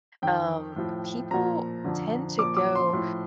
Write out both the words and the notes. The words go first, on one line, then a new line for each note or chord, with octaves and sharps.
um, people tend to go
F2 D#3 G5
A2 F3
A#2 F3 A#5
F2 D3 F3
A#2 F3 D6
D6
C6
A2 F3